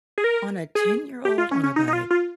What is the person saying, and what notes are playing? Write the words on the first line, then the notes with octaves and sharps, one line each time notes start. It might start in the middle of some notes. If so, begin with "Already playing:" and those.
On a ten-year-old on a bike.
G#4
A#4
G#4
G4
F4
C#4
C#4
D#4
D#4
F4
F4